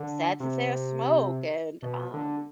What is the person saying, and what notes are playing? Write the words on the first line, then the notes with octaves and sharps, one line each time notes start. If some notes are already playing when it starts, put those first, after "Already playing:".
sad to say, a smoke," and, um
Already playing: D3
C3
B2
D3